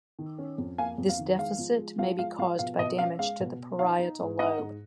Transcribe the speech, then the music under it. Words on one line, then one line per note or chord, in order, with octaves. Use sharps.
This deficit may be caused by damage to the parietal lobe.
D#3
C#4
F2
A#3 F5 G#5
F2
F5
D#3
G#3 F5
F3
G#3
F3 F5
G#3 F5
F3 F5
B2 F5
B2 D#5
C#4 F5
G#3 F5
B2
B2
D#4 F5
D#4
G#2
D#4 D#5 F#5
G#2